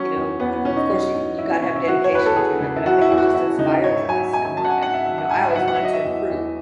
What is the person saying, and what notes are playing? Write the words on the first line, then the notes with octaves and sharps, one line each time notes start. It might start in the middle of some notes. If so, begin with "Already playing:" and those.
you know, y of course you you gotta have dedication to it, but I think it just inspires us and what, uh, you know, I always wanted to improve,
Already playing: F#3 C#4
E2
E2 B3
B3
B2 C#4
D#4
F#3
E2
E2 E4
C#4
B2 C#4
E4
F#3 F#4
C#5
E2 B4
A4
E2 G#4
C#3
E4
F#3 F#4
E4
E2
F#4
E2 E4
C#3 D#4
G#2 C#5
E5
F#3 G#5
E5
G#2 G#5
G#5
F#3 A5
F#5
G#5
G#2 F#5
E5
F#3 E5
F#5
G#2 G#5
G#5
E5
F#3 F#5
F#5
E5
F#3 D#5
E5
E2
E2